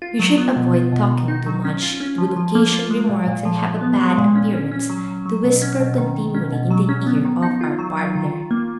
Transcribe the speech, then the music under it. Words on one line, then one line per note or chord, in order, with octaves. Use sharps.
We should avoid talking too much; it would occasion remarks and have a bad appearance to whisper continually in the ear of our partner.
F4
F#3
B3
B2
F4
B2
D#3
D#4
F#3
C#4
F4
C#4
F3
F3
A#3
F4
G#3
A#2
A#2
F3
F3
B3
G#3
A#2
C#4
C#4
C#4
F#3
F#3
F#3
B2
C#4
B2
D#3
D#3
C#4
B2
F#3
C#4
B3
D#3
D#4
F4
F#3
F4
D#3
D#3
A#3